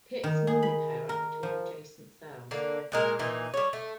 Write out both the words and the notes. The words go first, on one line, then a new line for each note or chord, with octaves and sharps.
Pits normally pair up between adjacent cells.
D#3
G#4
B5
A#4
F3
D3 A#3
A#2 G#3 A#4
A#2 E3 D#4
G3 C#5
A3